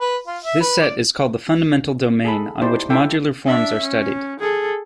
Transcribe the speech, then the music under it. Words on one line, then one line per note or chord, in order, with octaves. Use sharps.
This set is called the fundamental domain on which modular forms are studied.
B4
F4
E5
B4
D5
G#4 A4 B5
D#4 E4 G4 C5 D5 A5
E4 A4 E5 G5 D6
D4 E5
C#4
G#4 A4